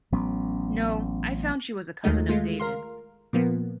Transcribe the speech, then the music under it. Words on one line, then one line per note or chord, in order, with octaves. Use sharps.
No, I found she was a cousin of David's.
A1 F#3 B3 C#4
D#2 D#3 G#3 A3 D#4
G#3 A3 F4
A#4 F5 C6
A#2 F3 A#3 B3